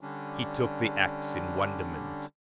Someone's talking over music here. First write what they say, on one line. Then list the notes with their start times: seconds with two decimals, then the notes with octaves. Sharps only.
He took the ax in wonderment.
0.01 D3 G3 C#4 D4